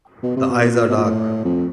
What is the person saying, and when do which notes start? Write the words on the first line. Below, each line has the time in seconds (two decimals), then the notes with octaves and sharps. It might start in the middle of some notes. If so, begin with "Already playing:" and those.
The eyes are dark.
0.23 B2
0.37 C3
0.50 B2
0.64 A#2
0.89 B2
0.97 A#2
1.04 A2
1.44 F2